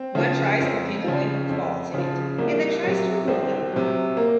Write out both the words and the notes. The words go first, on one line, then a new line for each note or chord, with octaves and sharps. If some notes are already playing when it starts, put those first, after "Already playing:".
One tries to pin-point the faults in it and then tries to remove them.
Already playing: C4
C#3 F3
F2
C#3 F3
F2
C#3 F3
C2 A#3
C3 F#3
C2 C4
C3 F#3
A#3